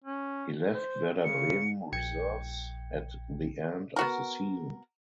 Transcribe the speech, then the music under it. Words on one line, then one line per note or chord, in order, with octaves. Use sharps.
He left Werder Bremen reserves at the end of the season.
C#4
C5
C#3 C#7
A#1 G5 G#6 C#7
B3 F#4 A#4